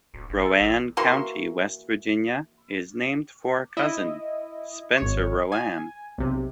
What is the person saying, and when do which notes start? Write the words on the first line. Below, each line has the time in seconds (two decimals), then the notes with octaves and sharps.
Roane County, West Virginia, is named for a cousin, Spencer Roane.
0.14 D1
0.30 G1
0.45 A4
0.60 A#1
0.97 E3 A#3 F#4 C6
3.77 E4 D#5
4.97 G#1 C#5
5.52 G#5
6.18 B1 C3